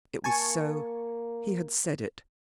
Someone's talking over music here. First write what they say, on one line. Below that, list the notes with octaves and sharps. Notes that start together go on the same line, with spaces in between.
It was so; he had said it.
A#3 G#5 A5 C#6